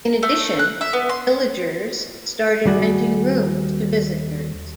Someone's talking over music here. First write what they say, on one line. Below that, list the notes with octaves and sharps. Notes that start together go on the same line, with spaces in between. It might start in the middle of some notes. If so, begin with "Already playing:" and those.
In addition, villagers started renting rooms to visitors.
A3
F#6
E5
B3
C6
D#2 G3 F#4 G#4 D5